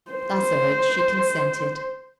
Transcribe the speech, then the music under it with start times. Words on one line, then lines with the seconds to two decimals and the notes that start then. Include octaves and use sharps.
Thus urged, she consented.
0.11 C5